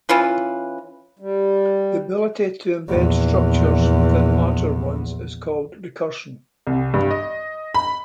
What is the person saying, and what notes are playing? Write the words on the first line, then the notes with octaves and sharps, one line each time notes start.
The ability to embed structures within larger ones is called recursion.
E3 C#4 F4 B4
G3
A#1 E2
C2
G2
D#5
B5